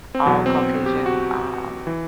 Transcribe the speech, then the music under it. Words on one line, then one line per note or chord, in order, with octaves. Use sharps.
all Caucasian, um,
C4
E2 B2 F#3 B3
C4
G4
F#4
E3